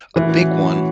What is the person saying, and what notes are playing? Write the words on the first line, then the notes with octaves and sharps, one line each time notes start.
A big one,
A2 E3 F#3 C#4 F#4